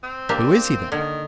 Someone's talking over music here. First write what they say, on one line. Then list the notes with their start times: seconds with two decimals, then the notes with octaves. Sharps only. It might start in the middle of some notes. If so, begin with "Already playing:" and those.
"Who is he, then?"
0.04 C4
0.29 A#3 D4 G4
0.92 D3 D#3